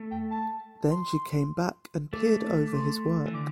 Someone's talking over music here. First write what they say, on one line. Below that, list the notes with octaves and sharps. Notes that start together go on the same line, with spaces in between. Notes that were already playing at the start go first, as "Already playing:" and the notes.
Then she came back and peered over his work.
Already playing: A3
G5
A5
C6
A3 D6
D6
C6
E3
D3 D6